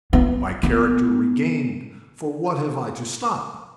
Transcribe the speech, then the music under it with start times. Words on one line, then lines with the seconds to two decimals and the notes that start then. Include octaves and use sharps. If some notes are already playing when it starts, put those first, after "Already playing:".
"My character regained, for what have I to stop?"
0.13 B3
0.63 B3